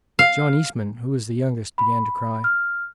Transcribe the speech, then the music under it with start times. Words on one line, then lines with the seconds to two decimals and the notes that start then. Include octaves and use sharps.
John Eastman, who was the youngest, began to cry.
0.19 F5
1.78 B5
2.44 F6